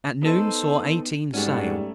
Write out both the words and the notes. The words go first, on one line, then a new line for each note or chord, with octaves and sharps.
At noon saw eighteen sail.
B3 D#4 A4 C5
G#2 G3 A3 C#4 D4 F#4 G#4